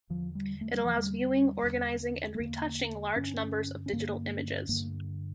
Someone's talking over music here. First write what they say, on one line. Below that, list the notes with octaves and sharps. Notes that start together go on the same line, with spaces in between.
It allows viewing, organizing and retouching large numbers of digital images.
E2 D3 F3
G3
A3
G3
E2 D3 F3
G3
E2 D3
A3
E2 D3 A#3
G2 D3 C#4
C#4
G2 D3 A#3
G2 D3 A#3